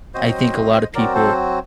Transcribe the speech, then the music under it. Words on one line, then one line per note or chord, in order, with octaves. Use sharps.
I think a lot of people
F#3 C4 F#4 C5 D#5
F#3 C4 F#4 A#4 D5
A4 C5